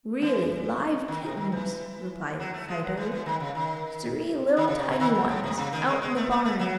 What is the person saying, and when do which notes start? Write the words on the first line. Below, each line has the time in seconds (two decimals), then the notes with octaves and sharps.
"Really live kittens!" replied Fido, "Three little tiny ones, out in the barn!"
0.22 E3
1.08 D#3
1.22 C3
1.37 D#3
1.52 E3
2.39 F#3
2.54 A3
2.68 G#3
2.83 F#3
2.97 E3
3.12 E3
3.26 D#3
3.40 C#3
3.55 D#3
4.57 D#3
4.68 C#3
4.79 C3
4.89 C#3
5.00 D#3
5.15 G#2
5.29 A2
5.43 C3
5.58 C#3
5.73 D#3
5.87 G#3
6.02 G#3
6.16 A3
6.31 A3
6.45 A3
6.59 F#3